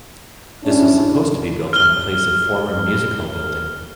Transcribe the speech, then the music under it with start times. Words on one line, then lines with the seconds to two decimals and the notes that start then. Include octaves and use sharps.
This was supposed to be built on a place of former music-hall building.
0.64 C#4 D4 E4
1.73 F6 G7